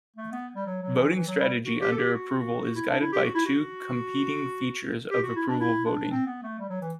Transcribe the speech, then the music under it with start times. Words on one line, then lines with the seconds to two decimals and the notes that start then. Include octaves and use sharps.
Voting strategy under approval is guided by two competing features of approval voting.
0.16 A3
0.32 B3
0.56 G3
0.66 F#3
0.82 F#3
0.99 E3
1.15 E3
1.27 F#3
1.40 G3
1.65 F#4
1.81 G4
1.92 A4
1.97 G4
2.13 F#4
2.39 F#4
2.64 F#4
2.75 E4
2.88 D4
3.01 E4
3.13 G4
3.24 F#4
3.35 E4
3.45 F#4
5.11 G4
5.23 F#4
5.36 E4
5.49 D4
5.60 E4
5.85 D4
6.11 C4
6.26 B3
6.43 A3
6.59 G3
6.69 F#3
6.81 E3